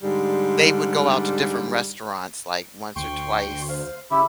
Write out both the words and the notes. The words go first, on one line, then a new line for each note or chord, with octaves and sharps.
they would go out to different restaurants, like, once or twice.
G#2 D3 G3
D2 G5 C6 C#6
C5 F5
C#3 E4 G4 E5 B5